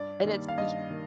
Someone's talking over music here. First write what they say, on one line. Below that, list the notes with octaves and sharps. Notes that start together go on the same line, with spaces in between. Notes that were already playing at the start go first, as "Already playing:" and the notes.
And it's e
Already playing: G2 D5
D#3 G3 A#3
F5
G2 D#5
D#3